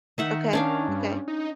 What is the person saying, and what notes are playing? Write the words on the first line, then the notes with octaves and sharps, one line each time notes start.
Okay, okay.
D#3 D#4 E5 F#5
C#4 D4 F5
G2
D#4